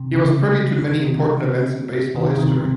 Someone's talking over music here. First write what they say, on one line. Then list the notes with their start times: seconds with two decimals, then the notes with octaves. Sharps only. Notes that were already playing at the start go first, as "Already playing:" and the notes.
He was privy to many important events in baseball history.
Already playing: C3
0.15 C#3
0.82 C#3
1.04 C3 D#3
2.15 C3 D#3
2.37 C3 D#3
2.60 C3